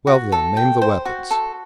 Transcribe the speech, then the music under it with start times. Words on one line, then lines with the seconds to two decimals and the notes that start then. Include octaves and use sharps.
"Well, then, name the weapons."
0.07 F#4
0.32 A4
0.57 G5
0.82 C5
1.05 F#4
1.31 A4